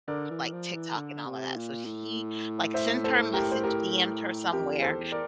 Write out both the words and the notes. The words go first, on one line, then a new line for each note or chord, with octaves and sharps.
like TikTok and all of that. So, he, like, sent her a message, DM'd her somewhere
D3 A#4 D5
E3
F3
E3
D3
C3
A#2
A2
C5 E5
A4 C5
G4 A#4
C5
G4 A#4
F2 G4 A#4
E2
A4 C5
E2
A#4 D5